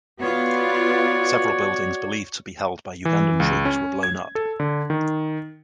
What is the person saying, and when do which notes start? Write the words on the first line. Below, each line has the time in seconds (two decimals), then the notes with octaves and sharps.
Several buildings believed to be held by Ugandan troops were blown up.
0.20 B3 F4 F#4 C#5 D5
3.05 E3
3.40 C#2
3.65 C#4
4.03 G#6
4.35 A4
4.60 D3
4.90 D#3